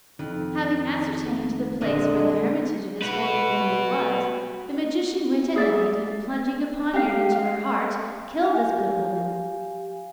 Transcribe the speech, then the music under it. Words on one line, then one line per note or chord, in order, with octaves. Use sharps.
Having ascertained the place where the hermitage of this holy woman was, the magician went at night, and, plunging a poniard into her heart, killed this good woman.
F2 D#3
A#2 D3 D4 D#5
F#4 B4
G#4 D5 E5
G4 F5
F5
G4 F5 G#5